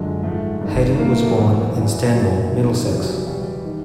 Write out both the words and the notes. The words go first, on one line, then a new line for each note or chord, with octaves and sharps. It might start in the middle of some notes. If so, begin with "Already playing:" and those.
Hayden was born in Stanmore, Middlesex.
Already playing: F#2 D3 F3 G#3
G#2 F3 A3
G2 D#3
A2 F3 A#3
A3
F#3
E2 B2 F#3
E2 C#3 E3
E2 B2 F#3
E2 C3 D#3
E2 C#3 F3 G3
F#3
G3
E2 B2 G3
D#3